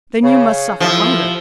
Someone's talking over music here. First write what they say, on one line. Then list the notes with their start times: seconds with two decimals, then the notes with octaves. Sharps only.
"Then you must suffer hunger."
0.24 C#3
0.80 F3 E4 G4 A4